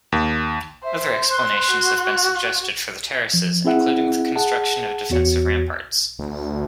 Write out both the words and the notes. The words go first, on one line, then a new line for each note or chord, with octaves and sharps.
Other explanations have been suggested for the terraces, including the construction of defensive ramparts.
D#2
C5 E5
C6 F#6
F#4
F3
C4 E4 G#4 E5 F#5
G#4 F#5 A5
E2 B3 F#4 C#5 C#7
D2